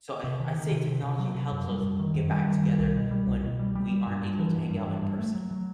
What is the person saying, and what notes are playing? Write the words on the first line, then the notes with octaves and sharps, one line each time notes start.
So, eh, I say technology helps us get back together when we aren't able to hang out in person.
C3
D#3
D#3
C3
C3
C3
F#3
C3
F#2
G3
F#2
D#3
F#2
G3
D#3
G3
C2
B2
G3
C2
B2
G3
G3
G3
G2
G2
E3
G2
G2
G2
G2
A3
F#3
F#3